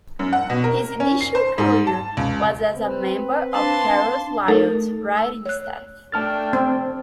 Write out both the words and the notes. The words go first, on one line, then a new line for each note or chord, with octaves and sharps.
His initial career was as a member of Harold Lloyd's writing staff.
F#2
F#5
B2
A#4
C#4
C7
C5
G#2
A5
C#2
C4 B4
D4 F5 A5 C6
A3 D#4 A4 A#4
E6
C#5 F#6
A3 D4 G5 A5 F6 A6
C4